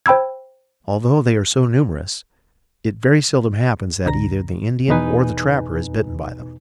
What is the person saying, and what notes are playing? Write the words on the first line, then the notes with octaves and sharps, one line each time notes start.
Although they are so numerous, it very seldom happens that either the Indian or the trapper is bitten by them.
C5 G5 B5 E6 G#6
C#2 B2 D3 A#5 A#6
E2 B2 D#4 B4 G#5